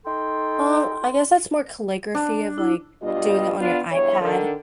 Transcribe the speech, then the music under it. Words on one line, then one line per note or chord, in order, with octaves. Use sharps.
Well, I guess that's more calligraphy of, like, doing it on your iPad,
D#4 A4 G5 C6
D4
E4
G2 B2 G3 F4 D#5
B3 D4 F4
E2 G2 C#5
D3 D#3